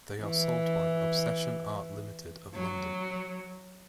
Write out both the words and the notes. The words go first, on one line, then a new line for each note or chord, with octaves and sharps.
They are sold by ObsessionArt Limited of London.
E3
F#3